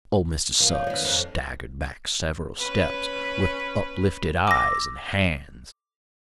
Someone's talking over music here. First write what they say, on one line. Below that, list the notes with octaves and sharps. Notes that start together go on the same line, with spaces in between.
Old Mr. Suggs staggered back several steps, with uplifted eyes and hands!
F3 A#4
C#5
D#3 B3 D5
F2 B4 C5
C#4 B4
D6 E6 A#6